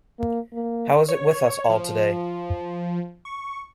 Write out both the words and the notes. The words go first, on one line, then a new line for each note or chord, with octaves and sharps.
How is it with us all today?
A#3
A#3
C#5
F3
C#6